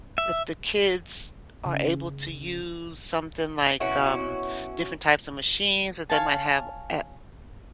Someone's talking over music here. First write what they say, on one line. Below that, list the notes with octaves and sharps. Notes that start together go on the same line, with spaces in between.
if the kids are able to use something, like, um, different types of machines that they might have at
E5
C#3
B2 C#4 E4 F#4
C#5 F5 G#5 A5